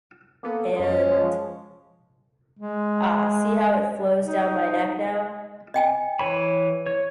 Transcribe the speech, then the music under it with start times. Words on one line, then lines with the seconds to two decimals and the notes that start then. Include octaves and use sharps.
And — ah, see how it flows down my neck now!
0.43 A#3 B3 A4
0.76 F#2 G#3 C#4
1.11 F3 G#3
2.59 G#3
4.23 D#4
5.74 D#5 G5 G#5
6.19 E3 C#5 B5
6.86 C#5